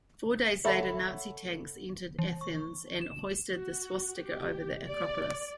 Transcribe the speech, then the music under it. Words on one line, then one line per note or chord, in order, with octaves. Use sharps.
Four days later Nazi tanks entered Athens and hoisted the swastika over the Acropolis.
A4 C#5 E5 F#5 B5
E3
C#6
E7
F#4
G4
D5